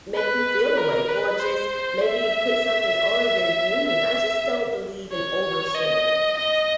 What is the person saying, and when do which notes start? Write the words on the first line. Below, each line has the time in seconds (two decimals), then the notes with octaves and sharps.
make you feel a way, or just maybe put something on your union, I just don't believe in oversharing.
0.15 B4
0.77 A#4
1.08 B4
1.39 C5
2.02 E5
3.88 E5
5.12 C#5
5.75 D#5
6.37 D#5